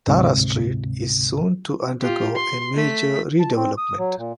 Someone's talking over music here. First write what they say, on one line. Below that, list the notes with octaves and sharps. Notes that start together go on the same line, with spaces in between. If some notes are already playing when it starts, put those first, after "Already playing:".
Tara Street is soon to undergo a major redevelopment.
D2 G#2 C3
F4 G4
C6
A3 B6
A5
C4
D#6
F#3
A#2